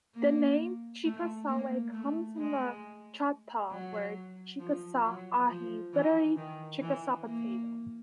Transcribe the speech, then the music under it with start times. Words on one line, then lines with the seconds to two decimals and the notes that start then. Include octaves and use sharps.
The name "Chickasawhay" comes from the Choctaw word "chikashsha-ahi", literally "Chickasaw potato".
0.15 A#3
1.04 A3
1.48 A#3
1.92 A3
2.37 G#3
3.70 F#3
4.59 F3
5.04 F#3
5.48 F3
5.93 E3
6.36 D#3
6.82 E3
7.26 A#3